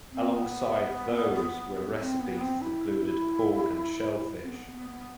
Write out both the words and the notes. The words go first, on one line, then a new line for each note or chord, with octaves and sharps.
Alongside those were recipes that included pork and shellfish.
C4
B3
C4
B3
C4
E4
C4
B3
B3
B3